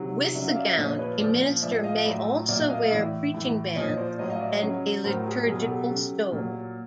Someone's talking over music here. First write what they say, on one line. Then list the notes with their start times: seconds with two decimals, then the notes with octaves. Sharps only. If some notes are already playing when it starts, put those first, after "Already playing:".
With the gown a minister may also wear preaching bands and a liturgical stole.
Already playing: C3 D#3 F#3
0.35 C#3 F#3 D5 E5
0.49 F5
0.56 D5 E5
0.77 A#2 F3 C#5 D#5
0.99 B4 C#5
1.19 A#2 F3 C5 D5
1.62 A2 F3 D5 E5
1.83 D#5 F5
2.05 A2 F#3 D5 E5
2.48 A#2 F#3 D5 E5
2.69 D#5 F5
2.91 A2 E3 D5 E5
3.34 A2 E3
3.76 A#2 F3 C#5 D#5
3.97 C5 D5
4.18 A2 F#3 C#5 D#5
4.30 D#5 F5
4.40 D5 E5
4.51 C#5 D#5
4.62 C#3 F#3
5.04 A2 F#3 A#4 C5
5.26 G#4 A#4
5.47 B2 F#3 G#4 A#4
5.68 G4 A4
5.89 C#3 F#3
6.32 A#2 F#3